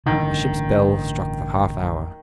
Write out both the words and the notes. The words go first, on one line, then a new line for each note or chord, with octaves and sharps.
The ship's bell struck the half-hour.
A1 G2 D3 D#3